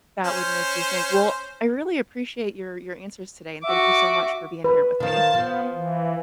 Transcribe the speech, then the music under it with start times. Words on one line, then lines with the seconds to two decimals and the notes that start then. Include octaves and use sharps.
That would make you think. Well, I really appreciate your your answers today, and thank you so much for being here with me.
0.24 C#4 C5
3.63 F#4 E5 D6
4.64 B4
5.00 D#3 F3 A5
5.34 F3 B3
5.72 E3